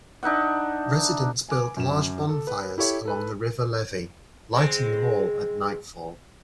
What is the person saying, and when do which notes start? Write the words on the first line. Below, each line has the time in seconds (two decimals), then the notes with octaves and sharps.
Residents build large bonfires along the River levee, lighting them all at nightfall.
0.23 D4 D#4 E5 F#5
1.49 G#5 D6
1.77 F#2 E7
2.29 A4
2.47 B4
2.78 E4 G4 A4 C#5
3.05 A4 B4 B5
4.54 G#3 C4